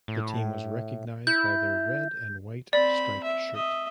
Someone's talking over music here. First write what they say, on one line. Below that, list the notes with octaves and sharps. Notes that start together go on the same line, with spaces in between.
The team was recognised by their red and white striped shirt.
A2
E4 G6
C4 D5 B5
E5
D#5 E5